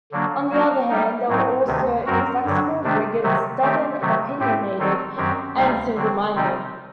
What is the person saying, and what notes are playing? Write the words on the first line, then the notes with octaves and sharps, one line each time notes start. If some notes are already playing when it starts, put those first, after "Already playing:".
On the other hand, they are also inflexible, rigid, stubborn, opinionated and single-minded.
D3 F#3 A#3 D4
F#3 A#3 D#4 F#4 A#4
G3 A#3 D#4
A2 F#3 C4 D#4
D2 C3 D#3
F#2 F#3 C4 F#4 A#4
G2 D3 F#3
C3 D#3 A3 D4
C3 D#3 F#3 A3
D#3 A3 C4 G4
C3 D#3 F#3 A3
A2 A3 C4 G4
D#3 F#3 C4 D#4 A4
F#2 D#3 F#3 C4 G4
D2 C3 G3 A#3 D#4
D3 F#3 C4
C3 D#3 G3 C4 D#4